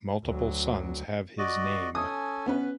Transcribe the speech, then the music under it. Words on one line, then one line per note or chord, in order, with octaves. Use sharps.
Multiple sons have his name.
D2 F#3
F#4 D5 D#5
C#4 A4 G#5 D#6
B3 C#4 B4